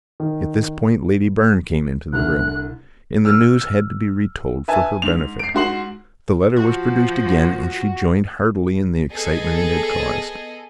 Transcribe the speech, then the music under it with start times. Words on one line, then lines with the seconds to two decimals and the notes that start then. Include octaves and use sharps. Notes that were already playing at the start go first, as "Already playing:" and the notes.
At this point Lady Byrne came into the room, and the news had to be retold for her benefit; the letter was produced again, and she joined heartily in the excitement it had caused.
0.20 D#3
2.13 C2 D3 F6 F#6
3.25 E6 F6
4.68 B4 E5 G#5 A5
5.02 G#2 F7
5.39 C7 D7
5.55 G#2 F#4 C6 F#7
6.56 F3 F#4
9.11 B3 G#4 A4 D#5